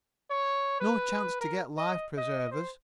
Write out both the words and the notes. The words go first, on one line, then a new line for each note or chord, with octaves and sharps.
No chance to get life-preservers.
C#5
B4
A#4
D#5
D#5
C5